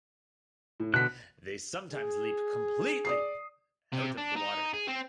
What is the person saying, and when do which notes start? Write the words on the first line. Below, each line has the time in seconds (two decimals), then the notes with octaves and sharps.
They sometimes leap completely out of the water.
0.80 A2
0.94 B2 D3 F#6 B6
1.93 G#4
3.05 D5 D#6 C7
3.93 C3
4.18 D4
4.36 D#4
4.74 G#4
4.88 C4